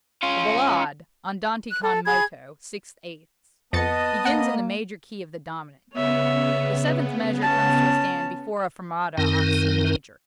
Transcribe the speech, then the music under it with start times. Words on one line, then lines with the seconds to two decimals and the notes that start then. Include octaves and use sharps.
The Ballade-- andante con moto, six-eighths--begins in the major key of the dominant; the seventh measure comes to a stand before a fermata on C major.
0.23 C#4 F4
1.69 F#6
1.82 A4
2.06 G#4 B5 G#6
3.73 F2 B3 D#5 A5 A6 C#7
4.25 A#3 F#5
5.94 C#3 B3 C#5 E5
7.42 C#4 A5
9.17 F#2 D#3 C4 D#4 A#4